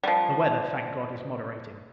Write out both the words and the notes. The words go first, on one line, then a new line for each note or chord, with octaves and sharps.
The weather, thank God, is moderating.
F3 G3